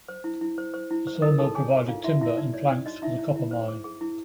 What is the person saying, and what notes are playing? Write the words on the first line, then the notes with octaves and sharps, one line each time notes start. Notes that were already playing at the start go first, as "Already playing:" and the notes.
The sawmill provided timber and planks for the copper mine.
C5
E4
E4
C5
C5
E4
C5
A#4 D#5 D#6
D#4 A4 A5
G#4 C#5 G#5
C#5
D#4 F4 F5
E4 F#4 E5
E4 F#4 E5
D#4 D5
C#5 D5
D#4 D5
D#4 F#4 D#5
D#4 E4 E5
E4
E4
C5
G#4
G#4
E4